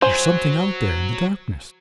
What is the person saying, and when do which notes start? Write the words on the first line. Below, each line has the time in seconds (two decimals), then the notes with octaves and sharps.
"There is something out there in the darkness."
0.02 F#3 C5 G#5